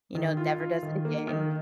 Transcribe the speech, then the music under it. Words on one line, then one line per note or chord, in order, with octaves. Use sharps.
you know, never does it again.
D#3
F4
F4
D#3
A#3
D#3